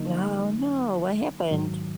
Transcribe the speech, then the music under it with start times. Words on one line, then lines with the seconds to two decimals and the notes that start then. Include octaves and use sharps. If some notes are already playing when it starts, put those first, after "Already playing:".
Oh, no! What happened?
Already playing: D3 F#3 A#3 D#4
1.51 G#2 D#3 F#3